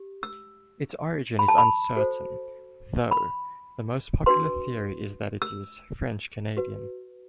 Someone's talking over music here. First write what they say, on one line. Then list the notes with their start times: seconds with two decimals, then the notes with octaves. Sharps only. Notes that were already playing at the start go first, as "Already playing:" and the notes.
Its origin is uncertain, though the most popular theory is that it is French-Canadian.
Already playing: G4
0.23 E6
1.39 B5
1.48 A5
1.58 B5
1.96 F#4 A4 C5
3.11 B5
4.26 D4 F#4 B4 C6
5.42 E6
6.57 F#4 B4